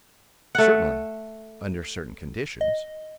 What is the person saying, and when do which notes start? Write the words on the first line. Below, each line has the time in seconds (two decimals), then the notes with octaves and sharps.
"Certainly, under certain conditions."
0.55 A3 F#5
2.61 D#5